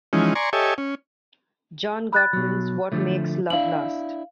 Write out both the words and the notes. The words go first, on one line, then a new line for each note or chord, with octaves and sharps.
John Gottman's What Makes Love Last?
E3 F3 G#3 C#4 D#4
D5 G#5 A#5 C6 C#6
G4 A4 C#5 D#5 E5 G#5
C#4
B5 F#6 A6
B2 F#3
D3 F3 A3
D4 E4 F5 F#7